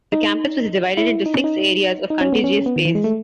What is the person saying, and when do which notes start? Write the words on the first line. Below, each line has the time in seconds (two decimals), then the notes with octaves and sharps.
The campus was divided into six areas of contiguous space.
0.12 D#4
0.97 E4
1.26 D#4
1.34 C#4
1.44 D#4
2.10 D#4
2.21 C#4
2.32 B3
2.44 C#4
2.66 B3
2.76 D#3
2.85 E3
2.95 G#3
3.04 A3